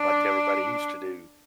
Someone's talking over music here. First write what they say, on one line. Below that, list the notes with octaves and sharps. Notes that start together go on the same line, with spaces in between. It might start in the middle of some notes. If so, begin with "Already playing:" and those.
like everybody used to do.
Already playing: D4